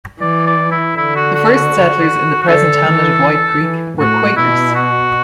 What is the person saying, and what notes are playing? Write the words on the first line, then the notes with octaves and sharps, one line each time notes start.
The first settlers in the present hamlet of White Creek were Quakers.
E3 D5
D5
E4
D3 E4
F#4
F#4
F#4
F#4
D3 A4
E3
E3
A2 F#4
B2 E4
F#4